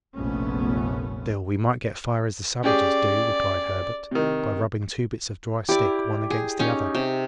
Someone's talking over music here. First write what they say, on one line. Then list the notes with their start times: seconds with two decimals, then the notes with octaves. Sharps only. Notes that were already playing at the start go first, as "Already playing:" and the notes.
"Still we might get fire as the savages do," replied Herbert, "by rubbing two bits of dry stick one against the other."
0.17 F1 A#1 F2 A3 B3 C#4
2.64 C#4 G4 G#4 D5
4.11 C3 D#3
5.69 E4 G4 D5
6.30 G#4
6.59 C#4 D#4
6.95 C3